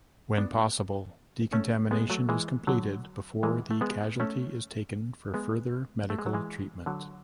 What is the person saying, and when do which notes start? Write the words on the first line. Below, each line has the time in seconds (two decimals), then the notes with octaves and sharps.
When possible, decontamination is completed before the casualty is taken for further medical treatment.
0.38 B3 D4
1.53 A3 C#4
1.91 G#3 B3
2.10 F#3 A3
2.29 E3 G#3
2.67 D3 F#3
3.43 E3 G#3
3.71 A3
3.81 G#3 B3
4.20 A3 C#4
5.34 G#3 B3
6.10 A3
6.18 G#3
6.26 F#3
6.33 E3 G#3
6.86 D3 F#3